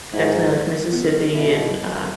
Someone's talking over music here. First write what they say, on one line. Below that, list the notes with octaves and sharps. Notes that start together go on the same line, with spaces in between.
definitely, like, Mississippi and, uh,
G#2 E4
B3
C#4
B2 E4